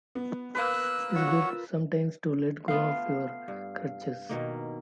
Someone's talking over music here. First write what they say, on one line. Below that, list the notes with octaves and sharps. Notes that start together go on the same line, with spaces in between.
It's good sometimes to let go of your crutches.
B3
A#3 B4 E6 F#6
F4 F#4 C#5 F#5 E6
A3 B3 F4 F5
G2
B2 D#3 A#3